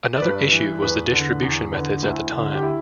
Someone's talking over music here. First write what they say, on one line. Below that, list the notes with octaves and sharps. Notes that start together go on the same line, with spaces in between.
Another issue was the distribution methods at the time.
D5
G2 B4
E3
E2 B4
D3
E2
D3 B4
D2 E4
D3
G4
E4